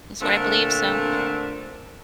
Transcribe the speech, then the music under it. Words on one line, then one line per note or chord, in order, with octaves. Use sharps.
It's what I believe. So
A#2 D3 A3 C4 D4 A#4